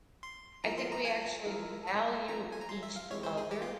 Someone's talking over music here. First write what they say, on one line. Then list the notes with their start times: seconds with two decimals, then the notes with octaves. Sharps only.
I think we actually value each other
0.23 C6
0.64 F3 A#3 E4 A#5
0.78 C6
0.92 A#5
1.05 G#5
1.46 F3 G#3 E4 A#4
1.87 A#5
2.28 F3 C4 F4 A#5
2.52 G#5
2.61 A#5
2.69 C6
2.83 E5
2.96 F5
3.10 F2 E3 G#3 E4 G4 C#5
3.23 C5
3.37 G#4
3.51 G4
3.62 F4